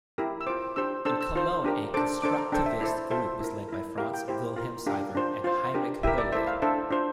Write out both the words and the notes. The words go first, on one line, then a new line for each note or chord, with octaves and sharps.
In Cologne, a constructivist group was led by Franz Wilhelm Seiwert and Heinrich Hoerle.
E4 G4 A#4
E6
F4 C5 D6
D4 G4 C5 E6
D4 A4 C5 E6
E6
F4 C5
D4 G4 A#4
D4 A4 C5 D6
D4 A4 C5 D6
A#5
D4 A4 C5 G5
E5
E4 A4 C5 D5
F4 A4 C5 E5
E4 A#4
E4 A#4
E4 G4 A#4 F5
G5
E4 G4 C5
F4 A#4
D4 G4 A#4 F5
D4 F4 C5
F4 C5
D4 G4 A#4
E4 G4 A#4 E5
D5
E4 A4 C5 E5
F5
D4 A4 C5 E5
D4 F4 C5